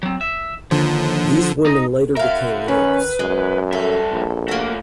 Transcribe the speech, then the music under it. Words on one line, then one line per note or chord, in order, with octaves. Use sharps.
These women later became nymphs.
F#3 C4
E5
D#2 D3 F3
D#4 D#5
F#4 A#4 E5 F5
D#3 C#4 B4
F#2 G#3
G2 A4 E5
A#1
A3 A#3 F4 F#4